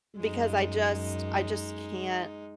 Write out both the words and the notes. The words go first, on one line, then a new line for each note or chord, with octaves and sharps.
because I just I just can't
F#2 G#3 D#4